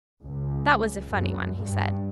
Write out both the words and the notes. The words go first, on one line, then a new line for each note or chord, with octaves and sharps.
"That was a funny one," he said.
C#2
F#2
G2